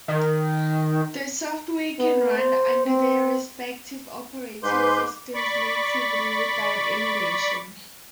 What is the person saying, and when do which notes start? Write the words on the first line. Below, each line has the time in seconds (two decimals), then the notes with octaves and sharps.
The software can run under their respective operating systems natively without emulation.
0.08 D#3
1.99 B3
2.37 C5
2.86 C4
4.63 G#2 B4 C6 D6 G6
5.35 D5 B5 C#6 D6